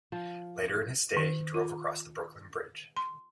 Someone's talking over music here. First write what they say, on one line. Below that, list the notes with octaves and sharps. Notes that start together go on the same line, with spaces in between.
Later in his stay, he drove across the Brooklyn Bridge.
F3
D#3
F4
C6